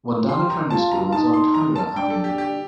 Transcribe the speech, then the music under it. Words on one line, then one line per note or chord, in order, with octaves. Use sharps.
Wandana Primary School is on Cowra Avenue.
F4
G4 C6
A#5
F4 A5
A#5
F4
D#4 A5
C6
A#5
A5
D4 G5
A4
G4
G4